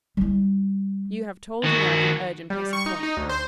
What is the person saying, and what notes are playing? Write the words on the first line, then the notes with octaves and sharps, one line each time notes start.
You have told me I can urge and press a point.
G3 E4
D#3 F#4
G3
C#6
D#4
D#4
D2
C5